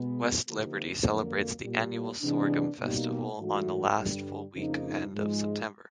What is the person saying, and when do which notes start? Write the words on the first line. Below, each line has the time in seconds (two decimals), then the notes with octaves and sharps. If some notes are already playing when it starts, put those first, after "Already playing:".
West Liberty celebrates the annual Sorghum Festival on the last full weekend of September.
Already playing: B2 G#3 B3
0.46 D3 F3 A#3 D#4 G4
1.04 F2 D3 F#3 A#3
1.63 A#2 G3 A#3
2.21 C3 E3 G#3 B3 D4
2.79 B2 G3 A#3 D#4
3.38 G#2 E3 A3 D4 F#4
3.96 G2 D3 G3
4.54 F2 C#3 F3 A#3 D#4
5.14 G#2 F3 G#3